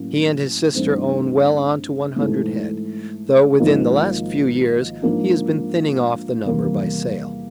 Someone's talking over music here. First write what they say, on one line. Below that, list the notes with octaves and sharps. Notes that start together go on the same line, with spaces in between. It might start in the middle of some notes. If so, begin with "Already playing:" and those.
He and his sister own well on to one hundred head, though within the last few years he has been thinning off the number by sale.
Already playing: A2 F#3 A#3 C#4
G2 E3 A3 C4 D#4
G#2 E3 A3
G#1 G#2 F3 A#3 D#4
G#2 F3 A#3 D4
E2 C3 D#3 G3 A#3